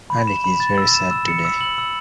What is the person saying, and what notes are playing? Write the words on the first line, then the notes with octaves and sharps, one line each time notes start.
Hardik is very sad today.
B5
E7
B5
A6
E6
E7
E6
C#7
E6
F#7
E6